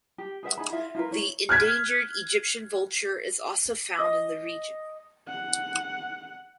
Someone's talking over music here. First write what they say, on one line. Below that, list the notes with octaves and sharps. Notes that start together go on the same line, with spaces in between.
The endangered Egyptian vulture is also found in the region.
G4
G#4 B4 E5 F#5
D#4 G#4 B5
E4 F4 E5 F#5
E4 F4 A#4 B4
E4 C#5
F6 F#6 G#6 B6
D#5
F#5